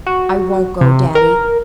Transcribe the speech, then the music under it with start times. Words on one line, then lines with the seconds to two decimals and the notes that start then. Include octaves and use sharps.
"I won't go, daddy."
0.06 F#4
0.81 C3
1.15 A#4